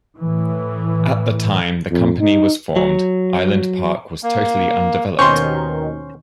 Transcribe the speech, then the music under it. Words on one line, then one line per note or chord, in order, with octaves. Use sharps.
At the time the company was formed, Island Park was totally undeveloped.
A2 E3
F2
D#4
F#3
A#3
D#2 B2 D#3 C#4 C5 C6 C#6